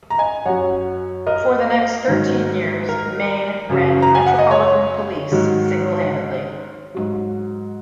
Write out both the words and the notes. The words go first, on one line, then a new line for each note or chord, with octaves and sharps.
For the next thirteen years, Mayne ran the Metropolitan Police single-handedly.
A#5
D#5 G#5
F#2 F#3 C#5 F#5
A#4 D#5
G#2 D#3 F#3
A#4
F#2 C#3 F#3
A#5
G#5
F#5
D#5
C#5
G#2 D#3 F#3
G#2 F#3